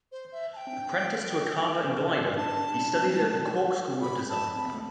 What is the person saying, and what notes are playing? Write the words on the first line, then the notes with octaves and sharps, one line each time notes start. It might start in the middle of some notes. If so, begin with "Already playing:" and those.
Apprenticed to a carver and gilder, he studied at the Cork School of Design.
C5
E5
A5
G5
C4
D4
D4 A5
D4
D4
C4
G3
A3
B5
A5
C4 B5
B3
A3